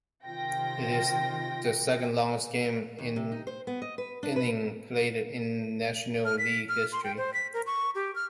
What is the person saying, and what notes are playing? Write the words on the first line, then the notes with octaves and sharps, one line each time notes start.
It is the second longest game in innings played in National League history.
C3 D#3 F4 G5 A#6
D#2
C3
D#4
C5
B3
D#5
B4
D4
B4
F6
B6
F6
C6
G5
C5
B6
A#4
C#6
G4
F6